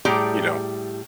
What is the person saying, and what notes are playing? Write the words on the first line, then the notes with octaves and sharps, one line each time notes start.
you know
A2 G3 G4 G#4 A#5